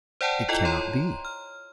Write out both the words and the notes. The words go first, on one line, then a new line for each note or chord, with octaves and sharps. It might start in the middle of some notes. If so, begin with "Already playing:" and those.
"It cannot be!"
C5 D5 F#5 G5 A5
E4 F4 A4 D#5 G5
C#5 A#5 C6
F6